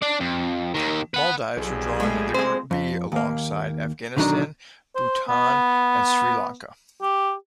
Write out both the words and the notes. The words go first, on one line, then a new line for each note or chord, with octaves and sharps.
Maldives were drawn in the group B alongside Afghanistan, Bhutan and Sri Lanka.
D4 D5
F2
D#2 D#3
B4 F#5
B1 F2 G3 G#4
G#3 A3
G#3 C4 C5
F2
D#2 A#3
B2 D3 D#3 F#3 D4 A#5
C5
B3
G4